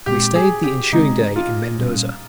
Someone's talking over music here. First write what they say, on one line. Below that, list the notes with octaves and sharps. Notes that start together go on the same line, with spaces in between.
We stayed the ensuing day in Mendoza.
A#2 G#3 C4 G4
G#4
G4
C#3 G#3 C4 D#4
F4
A#2 G3 A#3 C#4